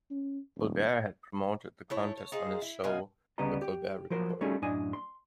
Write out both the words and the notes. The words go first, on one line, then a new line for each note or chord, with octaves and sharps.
Colbert had promoted the contest on his show, "The Colbert Report".
C#4
D#1
A3 E4 C#5
C#5
D#4 F4 G#4 C5
E4
B2 F4 D#5 G#5
D2 C#3 G3 B3 D#5 A#5
G4
F3 F#3 A#4 C5
G3 A3 C#4 D#4 F#4 G#4
F#2 A2 D4 D#5 G#5
C6